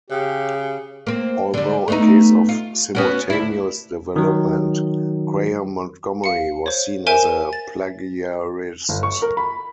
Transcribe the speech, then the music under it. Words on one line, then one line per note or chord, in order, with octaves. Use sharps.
Although a case of simultaneous development, Graham-Montgomery was seen as a plagiarist.
C#3 G4
A#3 C4
D3 G3
A3 B3 D#4
F4
B3 C#4 F#4
D2 E4
D#3 F#3
F5 C#7
C5 C#5
A#4 C5 E5 G#5 D7 E7
A6
G1
C#6
A#4
B5